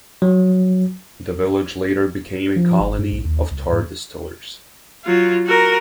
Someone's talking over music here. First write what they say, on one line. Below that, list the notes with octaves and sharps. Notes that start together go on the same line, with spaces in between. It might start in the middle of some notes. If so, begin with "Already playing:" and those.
The village later became a colony of tar distillers.
F#3
F3
G1
G2
B1
D#2
C#2
G#2
F#3 F4
F#4 A#4